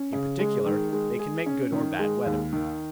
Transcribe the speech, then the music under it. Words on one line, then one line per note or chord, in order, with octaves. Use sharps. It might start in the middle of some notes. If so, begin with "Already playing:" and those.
In particular they can make good or bad weather.
Already playing: C#4
C#3
G#3
D#3
G#3
G#4
C#4
D#3
G#3
D#2
D#3